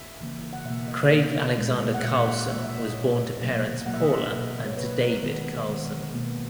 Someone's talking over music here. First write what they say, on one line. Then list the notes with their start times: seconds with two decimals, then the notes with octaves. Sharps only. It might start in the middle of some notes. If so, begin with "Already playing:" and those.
Craig Alexander Carlson was born to parents Paula and David Carlson.
Already playing: E5
0.20 C#3 E3 A#3
0.53 F#5
0.65 B2 A#3 E5
0.88 D#5
1.12 B2 A#3
1.57 A#2 G#3
1.94 F#5
2.03 A#2 G#3 E5
2.26 F#5
2.48 B2 A#3 E5
2.64 E5
2.79 D#5
2.94 B2 A#3 C#5
3.40 B2 F#3 A#3
3.86 B2 F#3 A#3 F#5
3.94 E5
4.00 D#5
4.09 E5
4.31 B2 F#3 A#3 E5
4.66 C#5
4.77 B2 F#3 A#3 B4
5.00 A#4
5.22 D#3 G#3 B3
5.69 D#3 G#3
6.13 B2 A#3 B3